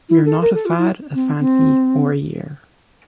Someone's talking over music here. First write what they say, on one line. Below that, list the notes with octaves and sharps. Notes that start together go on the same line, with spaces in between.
We're not a fad, a fancy, or a year.
E4
A4
A#4
A4
F4
E4
C4
C4